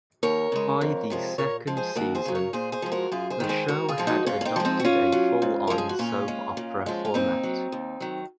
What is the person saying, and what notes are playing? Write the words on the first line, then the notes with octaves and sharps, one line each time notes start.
By the second season, the show had adopted a full-on soap opera format.
D#2 A#4 C#5
C#3 G#3
F2
C3 F3 G#3
A#2 A#4 C#5
F3 G#3
G#4 C5
D#2 F#4 A#4
G#4 C5
C#3 F#3
A#4 C#5
A#2 G#4 C5
G#4 C5
F3 G#3
F#4 A#4
F#2 F4 G#4
G#4 C5
D#3 G#3
G#4 C5
G#2 F#4 A#4
F4 G#4
F3 G#3
D#4 F#4
G#2 C#4 F4
C#4
C4 D#4
F3 G#3
C4 D#4
F#4
G#2 C#4 F4
F#3
G#2
F3 G#3 A#4
G#4
F#4
A#2 C#4 F4
G#3
A#2
F3 G#3
F4
A#2 C4 D#4
F#3
D#2
D#3 F#3